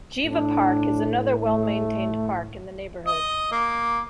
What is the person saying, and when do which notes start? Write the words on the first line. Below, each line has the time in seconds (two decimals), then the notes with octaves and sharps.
Jeeva Park is another well-maintained park in the neighbourhood.
0.24 A2 D4
1.39 A3
3.06 D#5
3.52 A#3